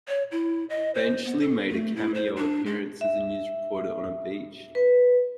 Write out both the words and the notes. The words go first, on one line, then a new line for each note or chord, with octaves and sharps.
Benchley made a cameo appearance as a news reporter on the beach.
C#5
E4
D#5
C5
B3
A4
A3
E4
C5
D4
G#3
E5
B4